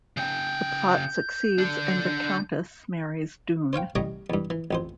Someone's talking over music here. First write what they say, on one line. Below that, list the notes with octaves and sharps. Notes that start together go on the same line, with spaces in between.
The plot succeeds, and the countess marries Doon.
C#3 G5 G6
D3 D4
C5 C#5 F5 G5
A1 G3 C#5 D#5 A#5 D6
E2 G2
E3
A1 F2 C5